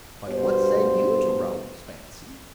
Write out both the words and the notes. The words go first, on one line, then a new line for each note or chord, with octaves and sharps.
"But what say you to Raoul's fancy?"
G2 B2 C5